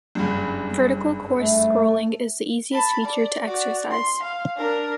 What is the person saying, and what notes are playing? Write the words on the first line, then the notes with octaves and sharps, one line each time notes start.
Vertical coarse scrolling is the easiest feature to exercise.
F#1 G2
A3
A5 B5
D5
F#4 D5
C6
F5
D4 A#4